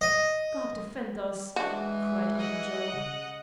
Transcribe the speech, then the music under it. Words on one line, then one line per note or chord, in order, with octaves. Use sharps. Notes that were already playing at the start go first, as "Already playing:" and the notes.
"God defend us!" cried Uncle Joe.
D#5
E3 G#3 D4 F#4
D#5 F#5
C#3